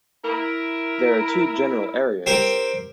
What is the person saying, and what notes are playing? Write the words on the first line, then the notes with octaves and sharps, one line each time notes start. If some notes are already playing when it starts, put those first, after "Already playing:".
There are two general areas.
E4 A#4
C4 G4 A#4